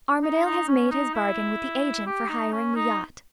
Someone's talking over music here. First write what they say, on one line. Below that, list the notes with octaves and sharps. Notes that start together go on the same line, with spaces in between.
Armadale has made his bargain with the agent for hiring the yacht.
D#4
D#4
C#4
D#4
E4
G4
D#4
C#4
D#4